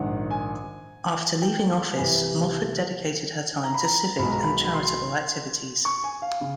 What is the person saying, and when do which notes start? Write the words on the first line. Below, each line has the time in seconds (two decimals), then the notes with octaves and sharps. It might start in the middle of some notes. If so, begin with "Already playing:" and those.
After leaving office, Mofford dedicated her time to civic and charitable activities.
Already playing: A#1 G#2 D#3 F#5
0.31 G#5
1.42 G5
1.97 C2 C3 E3 G3 G#5
3.64 A#5
3.74 B5
3.84 A#5
4.19 B1 B2 G#3 B5
4.30 A#5
4.43 B5
4.64 B5
4.74 C6
5.85 C#6
6.04 G#5
6.22 F5
6.41 C#3